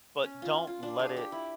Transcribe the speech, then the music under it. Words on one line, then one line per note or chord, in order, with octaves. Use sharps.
But don't let it
C#4
F4
F4
D4
G#4
G4
E4